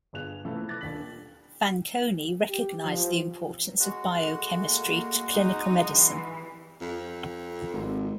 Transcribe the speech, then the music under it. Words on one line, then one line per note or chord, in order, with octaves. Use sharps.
Fanconi recognized the importance of biochemistry to clinical medicine.
G1 G2 F4 G#4 F#6 F7
C#3 E3 F3 A3 A4 B4
D6 F#6 A6 A#6
D#1 D4 F4 A4 B6 F#7
G4
F3
G#3 F#4
A#3
D#4
E3
F2
G#1